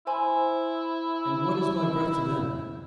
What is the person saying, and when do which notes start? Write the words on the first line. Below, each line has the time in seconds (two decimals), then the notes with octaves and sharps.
And what is my breath to them?
0.07 E4 C5 G#5 C6